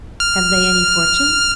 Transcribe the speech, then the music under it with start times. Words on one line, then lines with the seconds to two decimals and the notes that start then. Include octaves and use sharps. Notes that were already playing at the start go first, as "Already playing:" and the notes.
"Have they any fortune?"
0.20 F6